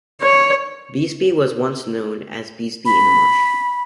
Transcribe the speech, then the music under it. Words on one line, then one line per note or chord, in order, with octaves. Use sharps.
Beesby was once known as Beesby in the Marsh.
C#5
B5